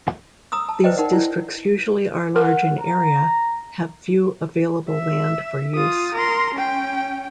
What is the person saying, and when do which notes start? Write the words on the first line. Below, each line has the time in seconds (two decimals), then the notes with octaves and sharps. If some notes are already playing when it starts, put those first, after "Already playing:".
These districts usually are large in area, have few available land for use.
0.52 A#5 D#6 E6
0.69 A5
0.84 B4 C5 D5 D#5 G5
0.98 D#4 A#4 F#5
1.13 E4
2.36 A#4 F#5
2.80 A#5
4.89 E5
5.75 F4 D#6
6.14 A#4 C6
6.54 C#4 G5